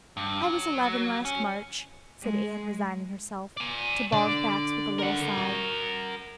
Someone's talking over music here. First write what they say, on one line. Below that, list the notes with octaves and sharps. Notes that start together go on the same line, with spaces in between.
"I was eleven last March," said Anne, resigning herself to bald facts with a little sigh.
G2
F#3
C#4
G#3
D5 G#5
D3 D5
A#4 F#5
F#4